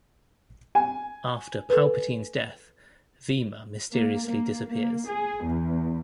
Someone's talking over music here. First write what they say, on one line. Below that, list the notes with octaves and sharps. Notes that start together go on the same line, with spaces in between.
After Palpatine's death, Vima mysteriously disappears.
G#5
A4 B4
A#3
A#3
A#3
G#4
E2